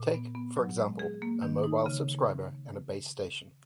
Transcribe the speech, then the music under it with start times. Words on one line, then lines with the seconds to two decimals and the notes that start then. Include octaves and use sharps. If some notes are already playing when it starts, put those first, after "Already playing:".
Take, for example, a mobile subscriber and a base station.
Already playing: A#2
0.14 B3
0.35 B3
0.57 F#3
0.78 G#3
0.99 G#4
1.22 A#3
1.42 D#3
1.64 D#4
1.86 C#3